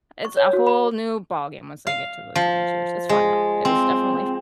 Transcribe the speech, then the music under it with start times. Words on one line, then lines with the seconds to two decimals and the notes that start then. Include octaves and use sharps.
it's a whole new ballgame once they get to the teenage years, it's fun, though, it is definitely f
0.25 C#6
0.37 C#5
0.53 F#4
0.67 B5
1.87 F5
2.35 F3
3.09 G#3
3.65 C4